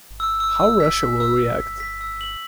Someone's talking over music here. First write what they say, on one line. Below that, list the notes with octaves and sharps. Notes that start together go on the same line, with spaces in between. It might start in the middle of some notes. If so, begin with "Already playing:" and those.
How Russia will react?
E6
E6
E6
B6
B6
E6
E6
B6
B6
E6
F#7